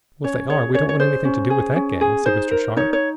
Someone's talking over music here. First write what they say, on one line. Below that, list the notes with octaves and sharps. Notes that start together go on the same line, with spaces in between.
"Well, if they are, we don't want anything to do with that gang," said Mr. Sharp.
C#4 C#5
G#4 C#5
C#4 C#5
C#5
G#4 C5
C#4
G#4
C#4
G#4
D#4 C5
A#4
D#4 C#5
C#5